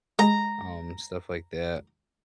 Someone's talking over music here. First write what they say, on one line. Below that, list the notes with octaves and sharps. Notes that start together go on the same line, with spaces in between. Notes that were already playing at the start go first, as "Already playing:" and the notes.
um, stuff like that,
G#3 A#5